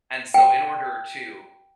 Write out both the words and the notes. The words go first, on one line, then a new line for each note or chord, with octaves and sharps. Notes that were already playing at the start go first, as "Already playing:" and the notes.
and so, in order to
G5